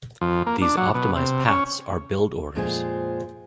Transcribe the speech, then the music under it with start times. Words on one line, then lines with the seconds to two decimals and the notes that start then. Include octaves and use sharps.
These optimized paths are build orders.
0.21 F2
0.47 A#3
0.62 D4
0.77 F#3
0.95 B2
1.16 C3
1.48 C#4
2.55 F2 A#2 G#3 F4 G#4 C5